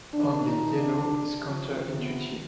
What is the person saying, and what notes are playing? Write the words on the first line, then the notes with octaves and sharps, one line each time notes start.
Only yellow is counter-intuitive.
C3 D#3 D4
D#4
D4
C3 F3
B3